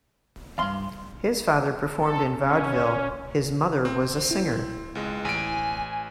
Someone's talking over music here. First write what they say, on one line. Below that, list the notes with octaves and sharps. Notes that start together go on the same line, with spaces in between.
His father performed in vaudeville; his mother was a singer.
E2 G2 F5 C6
A4
C#4
C4
E4
C#2 G#3
A1 G#5 D7